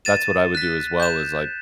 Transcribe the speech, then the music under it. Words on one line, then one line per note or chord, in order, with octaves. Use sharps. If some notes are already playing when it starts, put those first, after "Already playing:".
that's what I would do as well is, like,
A6 D#7 E7
F#6 B6
G6 E7